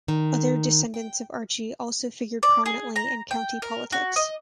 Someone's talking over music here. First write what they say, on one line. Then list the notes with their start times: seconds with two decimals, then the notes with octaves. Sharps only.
Other descendants of Archie also figured prominently in county politics.
0.08 D#3
0.94 G5
2.43 D5
2.66 G#4
2.96 A#5
3.31 G5
3.62 A#4
3.92 F#4
4.16 D#5